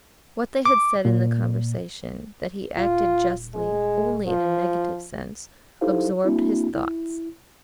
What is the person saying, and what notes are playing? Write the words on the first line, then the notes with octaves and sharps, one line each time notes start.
What they had said in the conversation, that he acted justly only in a negative sense, absorbed his thoughts.
D6
A#2
D#1 F4
G#3
F3
D#4 E4 G4 A4 C5 F5
A#3 C4 D4 E4 F#4
E4